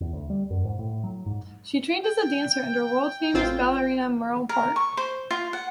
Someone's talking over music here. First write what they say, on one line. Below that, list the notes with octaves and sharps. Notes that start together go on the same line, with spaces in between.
She trained as a dancer under world-famous ballerina Merle Park.
E2
D2
G3
F#2
G#2
A2
F#3
G#2
G5
A1 C4 F4
A#4
C#6
C5
F4
F#5